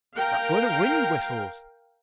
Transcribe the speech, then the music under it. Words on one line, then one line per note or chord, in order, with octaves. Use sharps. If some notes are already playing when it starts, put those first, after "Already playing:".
That's where the wind whistles.
A#4 F5 G5